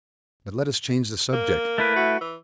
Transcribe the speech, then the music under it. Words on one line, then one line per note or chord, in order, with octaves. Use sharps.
But let us change the subject.
A#3
A3 E4 B4
F#4
E3